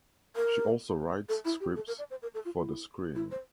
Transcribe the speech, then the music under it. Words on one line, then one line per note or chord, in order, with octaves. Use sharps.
She also writes scripts for the screen.
A#4
A4
E4
G4
A4
A#4
D5
C5
A#4
A4
F4
E4
E4
C5